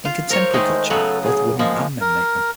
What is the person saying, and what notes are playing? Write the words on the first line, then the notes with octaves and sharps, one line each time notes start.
In contemporary culture, both women and men make them.
F4
A#4 C5 C#5
D#3 G#3 A3
C#3 F#3 B3 A4
G#4
F3 G#3 A#3
A#4